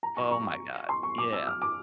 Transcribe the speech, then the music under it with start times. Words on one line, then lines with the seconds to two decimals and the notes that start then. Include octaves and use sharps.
oh my god. Yeah.
0.03 A#5
0.17 C#6
0.31 C#6
0.89 C6
1.03 C#6
1.18 D6
1.33 E6
1.47 F6
1.62 D6